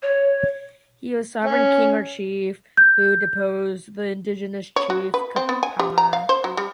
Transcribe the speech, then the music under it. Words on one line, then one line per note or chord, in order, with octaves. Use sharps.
He was sovereign king or chief, who deposed the indigenous chief, Kapawa.
C#5
C#4
G6
C#5
F#4
B4
C4
B3
G#5
G4
A#5
F5
C5
F#3
G3